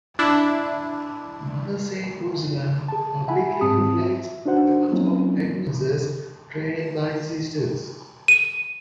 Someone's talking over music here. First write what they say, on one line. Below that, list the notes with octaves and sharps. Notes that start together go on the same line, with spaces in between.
Mother Saint Ursula publicly relates the account of Agnes's trial by the sisters.
D4 E4
G#4 A5
E5 F#5 G#5 B5
G#2 C4 A5 D#6
E5
D4 D#4 F#4 C5 F#5
F#3 A#3 C4 C#4 D#4 F4
D#7